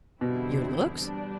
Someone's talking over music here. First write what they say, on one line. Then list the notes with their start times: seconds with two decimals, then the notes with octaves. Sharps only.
"Your looks?"
0.21 E2 B2 D3 G3 C4 E4
0.96 D3 G3 D4